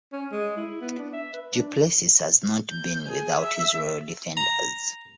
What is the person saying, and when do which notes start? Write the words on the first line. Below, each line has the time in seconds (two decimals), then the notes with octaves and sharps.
Duplessis has not been without his loyal defenders.
0.12 C#4
0.32 G#3
0.56 E4
0.81 B3
0.99 D4
1.13 E5
1.33 B4
1.55 D4
2.70 G6
3.07 G#4
3.40 E5
4.37 A#5